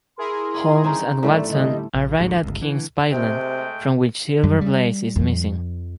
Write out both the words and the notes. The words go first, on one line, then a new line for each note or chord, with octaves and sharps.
Holmes and Watson arrive at King's Pyland, from which Silver Blaze is missing.
E4 G#4 A#4 C6
C4 C#4 D#4
A2 G3 A3 A4 D5
D3 G3 D#5
A#1
D1 A1 G#2 F#3
G1 C#2
D3 E3
C3 G#3 A3 G5
F#2 G3
G3
F2 F3